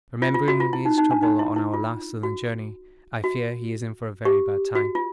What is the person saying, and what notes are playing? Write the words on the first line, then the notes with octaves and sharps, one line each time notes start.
Remembering his trouble on our last Southern journey, I fear he is in for a very bad time.
F4
F4
F#4
F4
E4
D#4
D#4
D4
D#4
E4
E4
F4
F#4
F#4
G4
F#4
F4